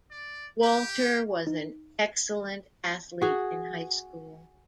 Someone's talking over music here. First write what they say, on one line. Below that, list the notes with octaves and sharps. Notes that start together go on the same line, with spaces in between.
Walter was an excellent athlete in high school.
D5
G4
D#4
F#4 G#4